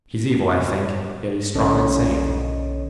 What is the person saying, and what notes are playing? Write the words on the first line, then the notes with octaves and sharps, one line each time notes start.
"He's evil, I think, yet he's strong and sane."
B1 D3 C#4 A4 C#5 D#5